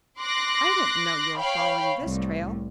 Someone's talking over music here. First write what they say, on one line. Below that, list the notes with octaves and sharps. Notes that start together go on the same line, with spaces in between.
I didn't know you were following this trail.
C6 D6 F#6 A#6
C#5 F5 G5 B5
C2 A2